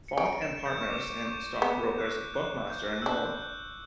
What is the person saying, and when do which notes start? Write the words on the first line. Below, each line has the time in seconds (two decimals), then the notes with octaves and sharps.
Falk and Partners, and stockbrokers Buckmaster and Moore.
0.08 C#7
0.18 C#4 D7
0.42 E7
0.66 G6
0.81 C#6
0.90 D6
1.26 C#6
1.62 B3
1.98 F#6
2.34 F#6
2.70 G6
3.02 E6
3.06 D4 F#6
3.42 F#6